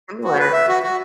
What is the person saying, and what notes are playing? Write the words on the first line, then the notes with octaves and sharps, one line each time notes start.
similar. Mhm.
F#4
B4
E5
F#4
F#4